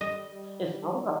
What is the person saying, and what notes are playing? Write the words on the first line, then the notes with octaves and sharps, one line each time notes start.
It's all about
G3 D#5